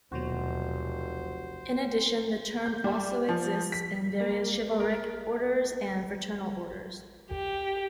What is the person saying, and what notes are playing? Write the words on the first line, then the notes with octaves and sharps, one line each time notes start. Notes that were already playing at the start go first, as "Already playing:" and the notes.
In addition, the term also exists in various chivalric orders and fraternal orders.
F1 D#2 B2 F#3 F#4 C5
G6
G3
F3
B6
A#3
A#4
G4